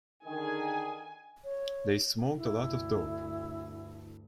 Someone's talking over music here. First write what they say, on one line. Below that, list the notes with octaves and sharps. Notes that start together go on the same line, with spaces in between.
They smoked a lot of dope.
D3 D#3 G#4 G#5
C#5
D2 G2 E4